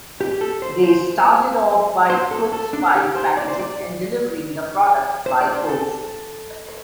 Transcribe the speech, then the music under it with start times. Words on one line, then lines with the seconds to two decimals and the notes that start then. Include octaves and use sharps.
They started off by Cooke's wife packaging and delivering the product by post.
0.21 G4
0.41 A4
0.62 C5
0.84 C5
2.10 C5
2.31 A4
2.52 A4
2.73 D4
2.95 G4
3.16 C5
3.37 D5
3.48 C5
3.59 D5
5.26 C5
5.41 D5
5.54 C5
5.69 A4